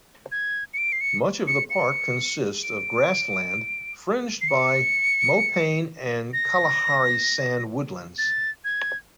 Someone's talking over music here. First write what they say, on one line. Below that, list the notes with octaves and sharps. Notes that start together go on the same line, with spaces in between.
Much of the park consists of grassland, fringed by mopane and Kalahari sand woodlands.
G#6
C#7
D7
C7
C#7
C#7
C#7
D7
C7
C#7
A#6
A6
G#6